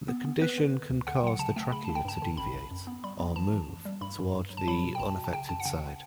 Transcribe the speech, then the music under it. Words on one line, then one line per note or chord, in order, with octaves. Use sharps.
The condition can cause the trachea to deviate, or move, toward the unaffected side.
B3
B3
B3 B4
D3
D3
D2
D3 F#5
G5
F#3 F#5
C#3 A5
A3 G5
C#3 B5
C#3 A5
G5
G2 A5
D3
A1 B5
G2
F#2
B3
G3 B5
B3
E3 A5
E3
F#2
G3
G2 B5
G2
G2
F#3
A5
F#3 B5
B2
G5
B1 A5
B2
A5
C#3 G5
F#2 A5
F#5
C#3 G5